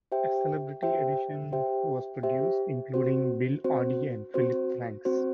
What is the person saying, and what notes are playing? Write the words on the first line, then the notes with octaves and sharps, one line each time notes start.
A celebrity edition was produced, including Bill Oddie and Phillip Franks.
G4 C5 E5 G5
G4 C5 E5 G5
G4 C5 E5 G5
G4 C5 E5 G5
C4 F#4 C5
C4 F#4 C5
C4 F#4 C5
C4 F#4 C5